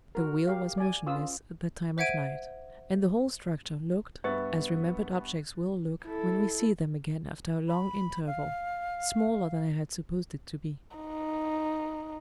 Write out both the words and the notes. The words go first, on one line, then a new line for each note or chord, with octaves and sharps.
The wheel was motionless, at that time of night; and the whole structure looked--as remembered objects will look, when we see them again after a long interval--smaller than I had supposed it to be.
F#4 A#4
G4 A#4 F5
D5 G#5
C#4 F4 B4 D#6 E6
C5 E5 F#5 G#6 D7 D#7
G2 B3 E5 C#6 F#6 A6
E4 A4
B5
F5
D#4